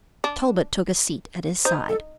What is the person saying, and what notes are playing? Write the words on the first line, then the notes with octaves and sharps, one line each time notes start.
Talbot took a seat at his side.
D4
D#4 C5
A4